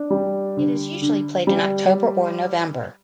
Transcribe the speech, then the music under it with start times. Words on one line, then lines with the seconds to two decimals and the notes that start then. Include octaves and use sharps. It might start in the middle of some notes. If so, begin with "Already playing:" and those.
It is usually played in October or November.
Already playing: D4
0.10 G3
0.57 D3
1.01 D3
1.47 G3